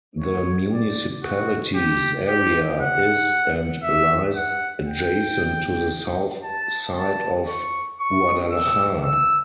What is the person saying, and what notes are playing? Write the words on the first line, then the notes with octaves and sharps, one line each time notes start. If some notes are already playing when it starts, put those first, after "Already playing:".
The municipality's area is and lies adjacent to the south side of Guadalajara.
C#5
D5
F#4
G4
G4
F#5
E5
F#5
G5
A5
A5
C#6
C#6
E6
E6